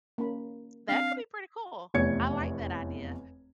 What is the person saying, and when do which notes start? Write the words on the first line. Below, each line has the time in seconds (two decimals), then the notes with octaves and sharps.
That could be pretty cool. I like that idea.
0.18 A#3 C#4 B5
0.89 C4 D4 F5
1.94 F1 E2 C#5 G#6 C#7